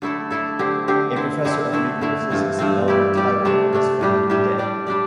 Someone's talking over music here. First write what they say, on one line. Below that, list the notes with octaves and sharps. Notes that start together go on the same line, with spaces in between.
A Professor of Nuclear Physics, Elmer Tywood, is found dead.
D3 A3 E4 A4
D3 A3 E4 A4
D3 C4 G4
D3 C4 G4
D3 C4 E4
D3 C4 E4
D3 A3 E4
D3 A3 E4
G2 E3 A3 C4
G2 E3 A3 C4
G3 E4 G4 D5
G3 E4 G4 D5
C3 A3 D4
C3 A3 D4
A2 G3 D4 G4
A2 G3 D4 G4
G3 D4 G4 D5
G3 D4 G4 D5